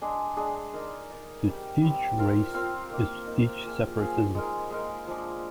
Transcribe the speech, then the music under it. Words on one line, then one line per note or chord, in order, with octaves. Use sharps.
To teach race is to teach separatism.
G#3 D4 G#4 D#5
G#3 D4 G#4 D#5
D#4 A#4 D5
D#4 A#4 D5
G3 C4 G4
G3 C4 G4
C4 F4 A#4 F5
C4 F4 A#4 F5
A#3 D#4 A#4
A#3 D#4 A#4
F3 A#3 F4 G#4
F3 A#3 F4 G#4
G#3 D#4 A#4
G#3 D#4 A#4
F3 G#3 D4